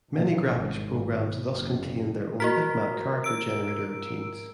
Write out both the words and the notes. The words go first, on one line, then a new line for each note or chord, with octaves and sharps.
Many graphics programs thus contained their own bitmap character generator routines.
A#2
G#1
B2
F#1
A#3 F#4 A#4 B6
E6 D7